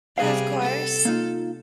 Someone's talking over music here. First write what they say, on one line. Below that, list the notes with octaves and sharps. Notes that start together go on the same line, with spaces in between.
Of course.
C3 G3 G#4 B4 F5
A4
A#3 D#4 F4